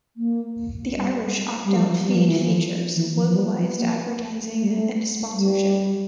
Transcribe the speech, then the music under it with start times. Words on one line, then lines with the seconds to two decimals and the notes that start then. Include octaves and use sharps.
The Irish opt-out feed features localised advertising and sponsorship.
0.17 A#3
0.96 G3
1.64 G3
1.76 F3
1.89 F3
2.03 G3
2.15 F3
2.28 E3
2.41 F3
2.96 E3
3.16 F3
3.27 F3
3.36 G3
3.55 F3
3.75 A#3
4.55 A3
4.63 G3
4.70 A3
5.35 G3